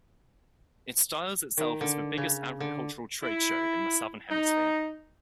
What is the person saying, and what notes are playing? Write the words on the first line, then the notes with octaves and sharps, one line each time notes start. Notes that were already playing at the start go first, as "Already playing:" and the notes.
It styles itself as "the biggest agricultural trade show in the southern hemisphere".
D#3
D3
C#3
D3
E4
D#4